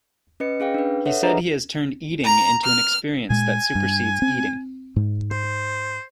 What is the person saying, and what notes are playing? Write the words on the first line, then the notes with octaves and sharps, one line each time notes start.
He said he has turned eating into an experience that supersedes eating.
C#4 B4 D#5 C#7
C#4 G#4 F5 G5
D4 B4
A4 C#5 E5 F#5
D4 G#4 B4 D#5 A#5
A#5
F6
A#2 G#3 G#5
G2
C4
G#2
C5